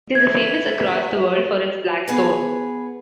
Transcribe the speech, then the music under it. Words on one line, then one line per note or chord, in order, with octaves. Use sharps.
It is famous across the world for its Black stone.
B4 E5 G#6
B3 G#4 B4